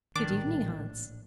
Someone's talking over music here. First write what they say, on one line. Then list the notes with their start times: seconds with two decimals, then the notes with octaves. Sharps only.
'Good evening, Hans.
0.16 A#1 A2 D#3 D4 D6